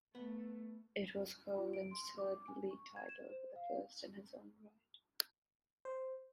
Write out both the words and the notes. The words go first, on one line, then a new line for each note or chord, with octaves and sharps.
It was Coughlin's third league title but the first in his own right.
A3 B3
F4
D7
C6
D6
G#5
C#6
G#6
E7
C5
F5
C5